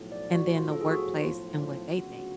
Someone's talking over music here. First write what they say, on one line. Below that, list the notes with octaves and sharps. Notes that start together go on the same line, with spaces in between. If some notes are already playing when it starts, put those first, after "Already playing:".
and then the workplace and what they think?
Already playing: B1 A2 F3
D5
F#4
F4
A4
G#4
F#4
F4
D2 C#3 F#3 B3 F#4